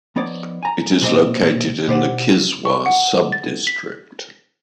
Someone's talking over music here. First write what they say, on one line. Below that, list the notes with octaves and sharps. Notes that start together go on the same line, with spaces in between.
It is located in the Kiswah subdistrict.
F3 B3 D#4 C#5 D5
G#5 A#5
B1 A#2 C4 A4 D5 D#5
B2 G4 C5 D5 F#5
C#6
F#5
A6
B6